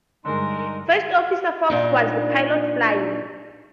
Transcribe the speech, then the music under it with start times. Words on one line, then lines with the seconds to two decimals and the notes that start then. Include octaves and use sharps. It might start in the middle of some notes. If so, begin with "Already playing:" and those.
First Officer Fox was the pilot flying.
0.25 G2 D3 G#3 D#4 A#4 C6
1.70 A#2 D4 D#4